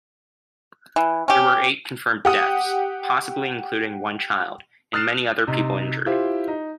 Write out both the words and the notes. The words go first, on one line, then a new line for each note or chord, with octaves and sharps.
There were eight confirmed deaths, possibly including one child, and many other people injured.
E3
C#4 G4
G4 F#5 D#6
D#6 F6 F#6 A6 C7 E7
C3 D#4
E4 F4 G4 C5
D#4